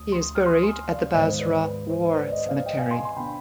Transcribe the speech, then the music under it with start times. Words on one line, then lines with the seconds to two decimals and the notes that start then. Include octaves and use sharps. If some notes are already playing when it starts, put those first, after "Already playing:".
He is buried at the Basra War Cemetery.
Already playing: D2 D#6
0.12 C6 D#6
0.35 F6
0.46 C6 D#6
0.63 G#5 C6
0.88 D5 F5
1.13 G#2 D#3 B3 C5 D#5
1.39 B4 D5
1.65 B4
1.90 C5
2.15 B4 D5
2.27 D5
2.32 C5 D#5
2.49 D5 F5
2.66 D#5 G5
2.78 F5 G#5
2.91 G#5 C6
3.05 C6
3.16 B2 B3 D4 G5 B5